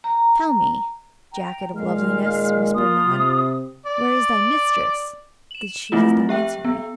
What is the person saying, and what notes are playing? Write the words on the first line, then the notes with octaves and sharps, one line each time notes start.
"Tell me, Jacket-of-Loveliness," whispered Nod, "where is thy mistress that she does not answer me?"
A#5
G5 A#5
A#2 D#3 G#3 F5 F6
A#3 F4 C6 D#6
C3
D5
E7 F#7
F3 A3 C4 E4 F4
G4 E5 G5
B3